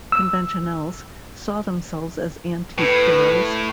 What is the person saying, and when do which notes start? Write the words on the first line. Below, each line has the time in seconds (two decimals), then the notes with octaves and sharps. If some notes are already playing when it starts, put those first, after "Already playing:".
"Conventionels" saw themselves as antique heroes.
0.12 E6
2.78 A2 B4